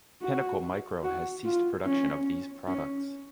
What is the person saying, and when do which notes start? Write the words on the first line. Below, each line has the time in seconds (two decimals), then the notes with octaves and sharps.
Pinnacle Micro has ceased production of these products.
0.22 F#4
1.03 F#4
1.45 F4
1.85 C#4
2.67 C#4